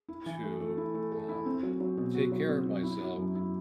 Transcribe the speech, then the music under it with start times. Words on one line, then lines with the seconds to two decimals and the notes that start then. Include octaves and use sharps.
to, um, take care of myself
0.09 E4
0.26 E3
0.44 A3
0.60 A3
0.78 E4
0.94 A3
1.12 A4
1.29 E4
1.46 C4
1.63 F#3
1.80 F#3
1.97 B2
2.15 F#4
2.32 F#3
2.49 C4
2.66 F#3
2.83 E4
3.01 F#3
3.18 F#2
3.35 E4